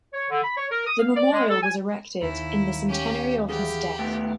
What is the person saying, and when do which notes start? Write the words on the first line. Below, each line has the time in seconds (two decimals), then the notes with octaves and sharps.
The memorial was erected in the centenary of his death.
0.14 C#5
0.31 D3
0.44 B5
0.57 C#5
0.71 A#4
0.87 D#6
1.00 F5
1.16 D5
1.32 G#3
1.49 A4
1.63 G#5
2.21 D#2 E4
2.88 C#4 G4
3.50 E3 G4 G#4
3.99 A3 B3 G5